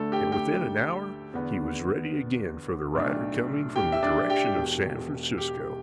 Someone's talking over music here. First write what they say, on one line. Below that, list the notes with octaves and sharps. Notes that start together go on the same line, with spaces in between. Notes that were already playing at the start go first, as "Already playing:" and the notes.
And within an hour he was ready again for the rider coming from the direction of San Francisco.
Already playing: D2 D3 A3 A4
G4 G5
G4 G5
E2 D3 B3
B1 A2 A3 D4
G4 G5
E5
D4 D5
G4 G5
E1 E2 B2
G4